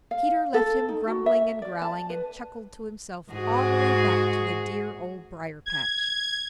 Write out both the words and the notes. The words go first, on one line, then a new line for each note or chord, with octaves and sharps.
Peter left him grumbling and growling, and chuckled to himself all the way back to the dear Old Briar-patch.
F5
A4
D#4
F#4
E5
D5
A5
B4
G#2 F#4 G#4
G#6